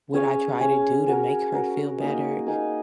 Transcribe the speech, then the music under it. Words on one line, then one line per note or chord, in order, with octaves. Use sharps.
what I try to do to make her feel better,
C#4 G#4 C#5 F5
C#4 G#4 C#5 F5
C#4 F#4 A#4
C#4 F#4 A#4
A#3 D#4 G#4 D#5
A#3 D#4 G#4 D#5